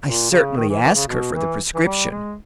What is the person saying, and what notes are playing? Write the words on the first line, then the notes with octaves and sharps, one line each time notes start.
I certainly asked her for the prescription.
A#2
C#3
D#3
E3
E3
C#3
B2
E3
E3
G3
G#3